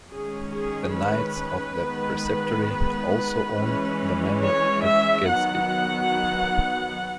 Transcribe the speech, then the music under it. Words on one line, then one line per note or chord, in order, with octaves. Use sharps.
The knights of the preceptory also owned the Manor at Gaddesby.
D#3 G#3 C#4 G#4
G#4
B4
D#3 G#3 B3
E3 G#3 C#4
C#5
E5
D#3 F#3 B3 F#5